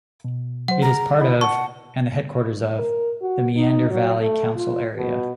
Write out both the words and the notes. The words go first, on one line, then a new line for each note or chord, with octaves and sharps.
It is part of, and the headquarters of, the Meander Valley Council area.
B2
F#3 C5 F#5
G#4 A#5
E4 D#5 B5
F#5 A5 C#6
A#4
F#4
D#4
F#3
A3
F4
B2